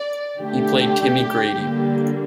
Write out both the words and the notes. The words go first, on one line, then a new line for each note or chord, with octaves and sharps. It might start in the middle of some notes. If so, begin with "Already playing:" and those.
He played Timmy Grady.
Already playing: D5
D3 A3 G4
D3 G3 A#3